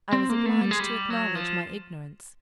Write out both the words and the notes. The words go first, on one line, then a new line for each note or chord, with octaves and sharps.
I was obliged to acknowledge my ignorance.
C4
A#3
A3
G3
G#3
G3
F#3
F3